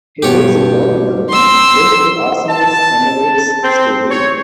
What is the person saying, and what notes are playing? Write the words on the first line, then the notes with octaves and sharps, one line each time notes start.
He lives in north London, close to Arsenal's Emirates Stadium.
G2 B2 G4 C#5
C6 E6
A5
C4
C#5